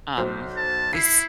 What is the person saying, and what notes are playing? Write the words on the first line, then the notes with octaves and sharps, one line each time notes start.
um, these
B1 C5
A5
E4 C7